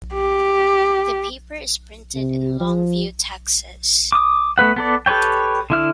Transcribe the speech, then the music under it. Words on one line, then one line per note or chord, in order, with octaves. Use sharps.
The paper is printed in Longview, Texas.
G4
C3
F3
D6 D#6
A3 B3 B4 F#5
B3 A4 D5
G4 A4 B4 C#5 G5
D3 E4 F6